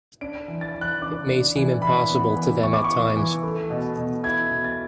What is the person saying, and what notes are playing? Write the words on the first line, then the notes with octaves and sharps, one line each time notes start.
It may seem impossible to them at times.
D4 D7
E3
A6
E3
F#6
D4 D6
D4
E3
E3 B5
B3
E3
E3 C#6
D6
C#6
E3
E3
A3
B2
B2
E4 G#6
B2
A6